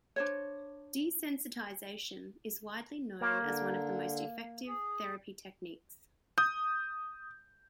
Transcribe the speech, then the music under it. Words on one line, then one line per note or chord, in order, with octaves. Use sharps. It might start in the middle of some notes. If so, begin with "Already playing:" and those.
Desensitization is widely known as one of the most effective therapy techniques.
D4 C5 C#5
A#3 C5 C#5
D3
G#4
D#6 G6